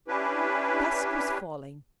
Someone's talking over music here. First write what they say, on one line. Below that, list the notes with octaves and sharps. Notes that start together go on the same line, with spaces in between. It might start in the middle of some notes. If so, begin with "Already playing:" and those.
Dusk was falling.
C#4 D4 E4 G4 B4